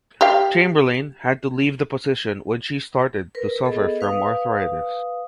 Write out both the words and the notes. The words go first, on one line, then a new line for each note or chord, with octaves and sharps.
Chamberlain had to leave the position when she started to suffer from arthritis.
G4 F5
A#4 B4
B3 G#4 A4 D#5
B4 F5 D#6